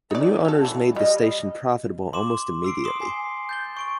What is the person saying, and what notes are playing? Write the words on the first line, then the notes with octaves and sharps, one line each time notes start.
The new owners made the station profitable almost immediately.
D#4 D5
C#4 A4
E3
G3 D#5
C6 D6 E7
E6 C7 D7
C6 D#6 E7 G7
G#5 C7
G6 A6 G7
C#6 D7 G7